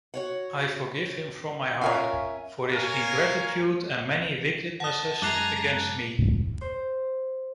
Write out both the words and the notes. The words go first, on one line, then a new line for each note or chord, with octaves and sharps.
I forgive him from my heart for his ingratitude and many wickednesses against me.
F#4 C#5 F#5
C#4 F4 A#4 C#5 E5 G#5
A#4 C#5 F5 G#5
F#5 A5 D#6
F#2 G#3 G#5 A#5 D6 F#6 C7
C5